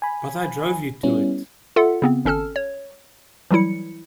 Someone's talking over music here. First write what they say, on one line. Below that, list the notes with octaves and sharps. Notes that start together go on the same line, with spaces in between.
But I drove you to it.
G#5 B5
G3 B3 C#4 E4
F4 A4 E5 F#5
C#3 B3 C4
G#1 C#4 A4 A5 F6
C#5
E3 F#3 G3 E4 C#7